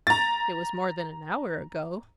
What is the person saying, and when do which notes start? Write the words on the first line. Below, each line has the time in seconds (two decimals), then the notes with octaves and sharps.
It was more than an hour ago.
0.07 A#5 A6